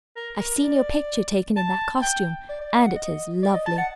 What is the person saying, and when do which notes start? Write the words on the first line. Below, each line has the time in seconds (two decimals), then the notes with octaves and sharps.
"I've seen your picture taken in that costume, and it is lovely."
0.16 A#4
0.39 A#4
0.63 D5
1.56 A5
2.02 G5
2.49 D5
2.61 D5
2.73 D#5
2.85 F#5
2.96 D#5
3.43 D5
3.54 D#5
3.66 A5
3.78 F#5